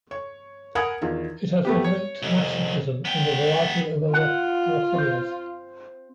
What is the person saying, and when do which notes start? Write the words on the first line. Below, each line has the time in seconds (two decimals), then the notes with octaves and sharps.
It has been linked to masochism and a variety of other paraphilias.
0.11 C#5
0.75 A#4 F#5 G#5 B5 D#6 G#6
1.01 E2 D#3 F4
1.65 A3 B3 G4
1.84 C#5
2.23 C2 F2
3.05 B3 G5
4.13 F4 F#5
4.95 C4 C5